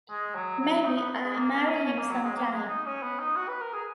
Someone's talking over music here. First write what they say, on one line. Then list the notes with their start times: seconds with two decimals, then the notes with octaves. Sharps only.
Maybe I'll marry him some time.
0.10 G#3
0.35 F#3
0.60 F#3
0.85 D#4
0.98 B3
1.23 G#3
1.36 A#3
1.52 A#3
1.69 C#4
1.85 C#4
1.98 A#3
2.10 F#3
2.23 G#3
2.36 A#3
2.52 G#3
2.69 D#4
2.86 C#4
3.02 B3
3.19 D#4
3.36 F#4
3.48 B4
3.61 A#4
3.73 G#4